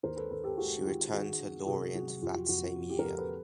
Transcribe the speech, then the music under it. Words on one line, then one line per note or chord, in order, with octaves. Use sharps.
She returned to Lorient that same year.
D#2 A#4 C5
A4 B4
D#2 A4 B4
G4 A4
G#3 F#4 G#4
D#3 F4 G4
D#3 F#4 G#4
D#3
C3 F#4 G#4
F#3 F#4 G#4
F2 F4 G4
F#4
F2 F#4
F4
F3
F4 G4
A#4
F3 G4 A4
A4 B4